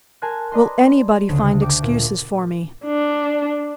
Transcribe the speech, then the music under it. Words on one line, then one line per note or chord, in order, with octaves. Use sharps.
Will anybody find excuses for me?
A#4 G#5 A5 C6 F#6
B4 D5 D#5 A#5 C6
D2 C#3
G5 D6
A#2
D4